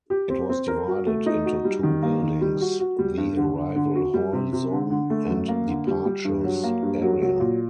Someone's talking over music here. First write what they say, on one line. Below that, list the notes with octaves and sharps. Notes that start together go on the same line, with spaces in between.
It was divided into two buildings: the arrival hall zone and departures area.
G4
C4
C4
A#4
F#4
A3
D#4
F#4
G3
D#3
A#3
D#3
G3
F#4
F#4
G3
G2
D3
D3
D3
F#4
G3
C3
C3
D3
D3
A3
F#2
A#3
D3
G3
G3
G2
F#3
A#3
G2
F#3
F#3
A#2